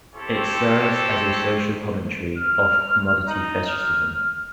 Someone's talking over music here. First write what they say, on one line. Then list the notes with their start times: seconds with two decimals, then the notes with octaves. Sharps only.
It serves as a social commentary of commodity fetishism.
0.14 C4 E4 G4 A4 C5 C#5
2.38 F6
3.28 D#4
3.69 F6